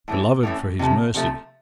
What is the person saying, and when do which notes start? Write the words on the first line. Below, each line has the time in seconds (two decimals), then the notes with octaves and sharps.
Beloved for his mercy!
0.08 A2 E3 A3 C#4
0.43 A2 E3 A3 C#4
0.79 C3 F3 A3
1.14 C3 F3 A3